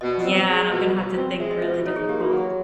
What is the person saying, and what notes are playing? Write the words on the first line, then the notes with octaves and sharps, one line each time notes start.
yeah, and I'm gonna have to think really difficult.
B2 D#5
D5
C4 D#5
G#3
B2
B2
C4
G#3 E5
D#5
B2 E5
D#5
D#4 C#5
G#4
A#3 G4
F#4
F#3